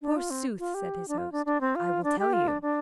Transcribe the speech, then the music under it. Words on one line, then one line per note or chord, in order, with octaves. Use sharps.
Forsooth, said his host, I will tell you.
D4
F4
C4
F4
G4
D4
F4
D4
D4
C4
F4
D4
G4
F4
D4
D4